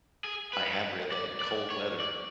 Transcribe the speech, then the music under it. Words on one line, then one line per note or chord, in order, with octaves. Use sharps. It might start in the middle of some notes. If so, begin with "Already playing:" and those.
I have read that in cold weather,
G#4
B4
D5
D5
C#5
D5